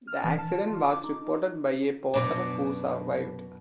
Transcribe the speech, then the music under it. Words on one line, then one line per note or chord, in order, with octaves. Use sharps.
The accident was reported by a porter who survived.
F6
E3
A5
F4
D6
D#4
D#4
F#2 B2 D4